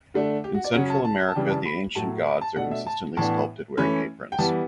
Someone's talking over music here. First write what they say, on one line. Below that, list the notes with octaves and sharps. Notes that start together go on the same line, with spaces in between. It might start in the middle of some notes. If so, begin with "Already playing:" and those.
In Central America the ancient gods are consistently sculpted wearing aprons.
D3 A3 D4
G4
F#4
D5
C#3 F#3 C#4 F#5
A5
A5
A5
C#3 E3 G3 D4 G5
A5
B5
A2 F#3 A3 A5
B5
A5
B2 A3 D4 F#5
E5
A5
A2 E3 B3 D4 A5
E3 A3 C#4 B5
G5
E3 G3 B3 A5